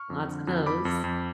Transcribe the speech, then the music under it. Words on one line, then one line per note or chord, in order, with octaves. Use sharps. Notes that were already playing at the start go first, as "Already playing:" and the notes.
Lots of those.
Already playing: C#6 F6
F2
D3
F2
F2 B5 D6
F2
F2